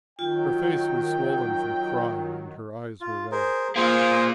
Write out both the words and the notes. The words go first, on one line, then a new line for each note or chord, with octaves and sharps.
Her face was swollen from crying and her eyes were red.
D#3 F#3 F4 G5
F4
G#4 A#4 C5
A#3 F4 G#4 C5